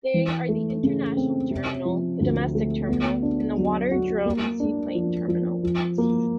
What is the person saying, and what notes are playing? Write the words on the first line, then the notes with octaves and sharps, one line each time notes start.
They are the International Terminal, the Domestic Terminal and the waterdrome Seaplane Terminal.
E3
A3
C#3
C4
C3
F3
D2
A3
B3
D4
F#3
F#4
A#3
D4
F3
F3
F3
A#3